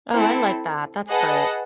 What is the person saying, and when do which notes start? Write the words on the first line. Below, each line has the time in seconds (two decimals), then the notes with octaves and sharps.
Oh, I like that, that's great.
0.11 C4 E4 A4
1.10 G#4 B4 D#5 F#5 A5